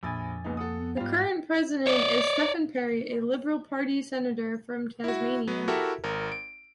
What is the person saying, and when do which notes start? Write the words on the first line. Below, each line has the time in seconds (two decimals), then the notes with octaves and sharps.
The current president is Stephen Parry, a Liberal Party senator from Tasmania.
0.03 A#1 F2 G#5 B5 A6
0.44 C#2 A#3 B3 D#4
0.57 A4 F#5 D#6
0.79 B3
0.97 G#2 G3 F4 F5
1.87 C#5 D5
5.04 E4 F#4
5.48 F#3 B3
5.68 E4 F#4 G4 A4 A#4 E5
6.04 G#1 A#4
6.32 D7